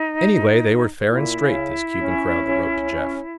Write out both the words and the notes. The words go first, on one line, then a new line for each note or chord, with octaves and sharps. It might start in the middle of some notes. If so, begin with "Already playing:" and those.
Anyway, they were fair and straight, this Cuban crowd that wrote to Jeff.
Already playing: D#4
A#2 E4
C#3
C#4
C#4
C#4